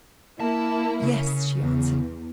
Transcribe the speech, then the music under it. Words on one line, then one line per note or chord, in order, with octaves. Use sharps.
"Yes," she answered.
A#3 E4 A5
C#3
E2